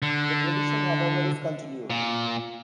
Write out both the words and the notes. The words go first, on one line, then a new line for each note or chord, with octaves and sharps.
The tradition however is continued.
D3
A#2